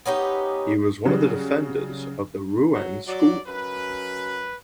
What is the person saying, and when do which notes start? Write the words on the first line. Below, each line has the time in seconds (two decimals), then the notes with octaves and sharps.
He was one of the defenders of the Rouen School.
0.06 B3 C#4 D#4 G4
1.06 C#3 F#3 G3
2.74 F#3
3.07 F#3 D5
3.47 F#2 B4